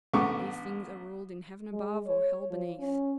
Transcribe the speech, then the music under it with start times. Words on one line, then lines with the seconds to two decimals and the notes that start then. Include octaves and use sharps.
These things are ruled in heaven above, or hell beneath.
0.14 A1 D3 A3 B3 C#6 D6
1.73 G#3
2.07 C#5
2.50 F3
2.79 C#4